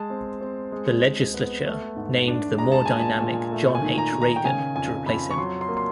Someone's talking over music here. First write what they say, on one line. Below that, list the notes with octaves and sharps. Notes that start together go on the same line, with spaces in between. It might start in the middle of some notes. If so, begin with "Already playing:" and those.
The legislature named the more dynamic John H. Reagan to replace him.
Already playing: G#3 A5
C4
C4
G#3
G#3
B3
A3
G#2
D4
G#3 A#5
A5
A#2 G#5
A5
A#2
A3
G#5
D#3
A#5
D#3
A#5
G5
C#3 G#5
F2 G#5
F2 B5
C#6
F#3 C6
C6
A#3
C6